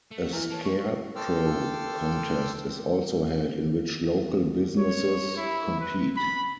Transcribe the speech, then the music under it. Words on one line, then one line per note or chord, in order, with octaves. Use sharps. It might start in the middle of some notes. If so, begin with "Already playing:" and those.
A scarecrow contest is also held in which local businesses compete.
A3
E3 E4 B4 E5 G#5
A#3 C#5 A5
C#6
A4 G5 C6 D6 E6 F6
C#5
E4
B4
B5